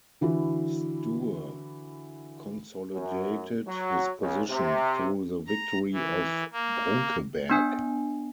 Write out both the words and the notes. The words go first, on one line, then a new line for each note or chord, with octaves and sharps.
Sture consolidated his position through the victory of Brunkeberg.
D3 E3 E4 F#4
F#2
F#3
C#2
C3
A#5
E3
A#3
B3 D4 G#5